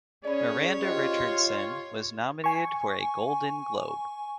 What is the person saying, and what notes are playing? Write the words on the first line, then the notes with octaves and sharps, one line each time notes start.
Miranda Richardson was nominated for a Golden Globe.
C#4 G#4 C#5 D5 B5
F4 G4 C5 D#5
G#5 C#6